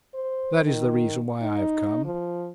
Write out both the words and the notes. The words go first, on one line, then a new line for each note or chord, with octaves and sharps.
That is the reason why I have come.
C5
D#3
D#4
F3